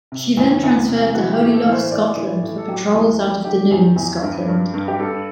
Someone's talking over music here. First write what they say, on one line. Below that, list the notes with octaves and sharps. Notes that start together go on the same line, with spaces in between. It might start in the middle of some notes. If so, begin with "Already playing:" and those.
She then transferred to Holy Loch, Scotland, for patrols out of Dunoon, Scotland.
C3
E2
E2
C3
E3 F#4
G4
A2
A4
E3
C5
A2 D5
E3
A2
A4
F#3 G4
E2
F#3
D3 G4
E2
E2
G2
G2
G2
G4
G2 A4